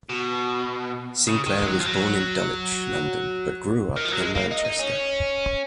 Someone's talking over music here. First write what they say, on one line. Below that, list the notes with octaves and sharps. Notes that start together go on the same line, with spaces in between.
Sinclair was born in Dulwich, London but grew up in Manchester.
B2
C#3
D#3
G#3
F#3
F3
F#3
D#3
F3
F#3
G#3
A#3
D#4
D#4
C#4